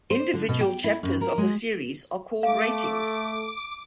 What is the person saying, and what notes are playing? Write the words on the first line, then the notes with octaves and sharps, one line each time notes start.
Individual chapters of the series are called ratings.
C5
D3
B2
G5
E4
F#2
A#4
G#3
A3 F5 D6